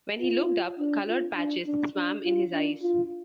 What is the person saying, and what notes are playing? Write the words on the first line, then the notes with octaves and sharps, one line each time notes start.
When he looked up, coloured patches swam in his eyes.
F4
D4
F4
D4
D4
D4
F4
D4
F4